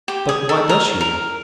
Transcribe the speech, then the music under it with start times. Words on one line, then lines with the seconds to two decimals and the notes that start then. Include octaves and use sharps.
"But why does she?"
0.08 G4
0.29 G#4
0.49 A4
0.69 A#4
1.01 A#4